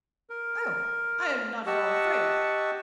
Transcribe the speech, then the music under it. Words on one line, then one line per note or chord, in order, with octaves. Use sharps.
'Oh! I'm not at all afraid.
A#4
G4 D#5 F#5 A5 C#6 E6